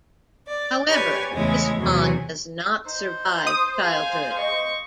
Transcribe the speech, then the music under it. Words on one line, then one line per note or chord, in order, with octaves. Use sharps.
However, this bond does not survive childhood.
D5
G4 B4 C#5 D5 G#5
E2 C#3 G#3 A3 E4 C#5
E2 C3 F#3 G#4
D#4 C5
D#6
G#4 C5 F5 G#5
D#5 C#6